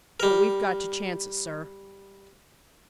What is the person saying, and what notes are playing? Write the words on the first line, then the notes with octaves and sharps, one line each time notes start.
But we've got to chance it, sir.
G3 A#4